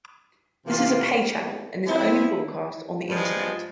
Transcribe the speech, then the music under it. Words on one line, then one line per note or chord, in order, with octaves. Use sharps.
This is a pay channel, and is only broadcast on the Internet.
C3 E3 A#3 F4
F3 C4 E4
G2 F3 G#3